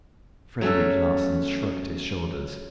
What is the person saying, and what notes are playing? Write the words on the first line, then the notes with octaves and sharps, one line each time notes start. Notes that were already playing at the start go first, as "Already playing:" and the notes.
Frederic Larsan shrugged his shoulders.
F#3 A3 C#4 A4